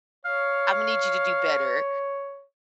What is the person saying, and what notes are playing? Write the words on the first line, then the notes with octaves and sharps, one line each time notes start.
Imma need you to do better.
C#5 F5